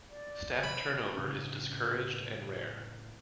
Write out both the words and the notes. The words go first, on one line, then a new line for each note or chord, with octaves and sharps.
Staff turnover is discouraged and rare.
D5
B5
C#5
A2 C#3 C#4 D4